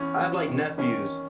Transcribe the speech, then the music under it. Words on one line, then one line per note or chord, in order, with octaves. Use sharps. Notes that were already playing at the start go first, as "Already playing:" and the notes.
I have, like, nephews.
Already playing: E2 C#4
E2
D#3
D#3 C#4